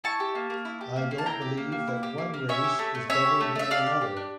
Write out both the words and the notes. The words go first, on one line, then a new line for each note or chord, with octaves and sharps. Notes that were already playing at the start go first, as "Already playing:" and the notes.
I don't believe that one race is better than another.
E4 A5 C#6
G4
A#3
A#3
E4
G4
A#3
A#3
A5
E4 G5 A#5
G4
A#3
A#3
E4
G4
A#3
A#3
C#4 C#5 E5
G4
A3
A3
C#4 C#5 E5
G4
A3
A3 E5
G4 D5 F5
D4
G4
D4